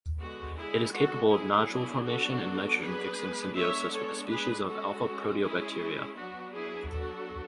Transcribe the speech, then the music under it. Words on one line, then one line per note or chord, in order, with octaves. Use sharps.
It is capable of nodule formation and nitrogen fixing symbiosis with species of alphaproteobacteria.
D3 G#3 B3 F#4
E4 G#4
F#4 A4
E4 G#4
F#3 B3 D4
F#4 A4
G#4 B4
G#3 B3 D4
C#5 E5
A4 C#5
G#4 B4
G#3 C#4 F#4 A4
E4 G#4
F#3 B3 D4 F#4
E4 G#4
F#4 A4